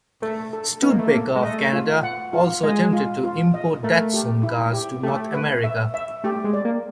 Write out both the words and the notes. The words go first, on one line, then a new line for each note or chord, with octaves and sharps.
Studebaker of Canada also attempted to import Datsun cars to North America.
A3 A4
A4
B3 D#4
A#3
A3
A#3
A4
G#3
A3 D#5
F4
F#5
F4
G#3 D#5
F4
F4
D#5
A3 A#4
G4
E4
G4
A3 G4
B4
E5
E5
A3 G4
G#3
D5
A#3